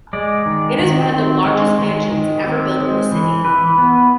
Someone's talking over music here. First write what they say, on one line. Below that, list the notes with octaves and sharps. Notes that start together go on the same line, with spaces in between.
It is one of the largest mansions ever built in the city.
G#3 D5
D#3
D#3
C4
G#3
D#3
D#3
C4
G#3
E3
E3 B4
B3